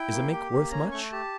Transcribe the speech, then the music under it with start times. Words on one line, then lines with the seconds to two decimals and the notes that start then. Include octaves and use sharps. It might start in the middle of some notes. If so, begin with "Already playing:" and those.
"Is a mink worth much?"
Already playing: E4 G5
0.12 A#3
0.32 G4
0.51 A#3
0.71 C#4 A#5
0.92 A3 C#6
1.12 G4 A5